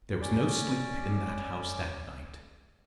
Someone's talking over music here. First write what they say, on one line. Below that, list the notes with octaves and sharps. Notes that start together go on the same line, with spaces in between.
There was no sleep in that house that night.
C#4 D5